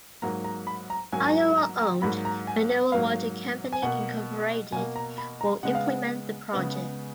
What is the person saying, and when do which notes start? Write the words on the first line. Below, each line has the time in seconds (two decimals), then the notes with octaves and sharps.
Ayala-owned Manila Water Company Incorporated will implement the project.
0.22 G#2 F#3 A#3 A#5
0.44 A#5
0.67 B5
0.90 A#5
1.13 G#2 F#3 A#3 G#5
1.24 G#5
1.34 A#5
1.58 A#5
1.80 A#5
2.02 G#2 F#3 A#3 B5
2.25 A#5
2.47 G#5
2.70 F#5
2.92 G#2 F#3 A#3 F5
3.73 G#5
3.82 B2 A#3 F#5
4.72 B2 G#5
4.76 A#3
4.96 A#5
5.18 B5
5.41 A#5
5.63 C#3 G#3 B3 F#5
5.75 F5
5.86 F#5
6.53 C#3 G#3 B3